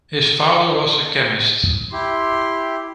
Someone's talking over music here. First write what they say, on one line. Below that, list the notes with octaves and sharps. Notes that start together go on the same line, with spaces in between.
His father was a chemist.
E4 G4 C6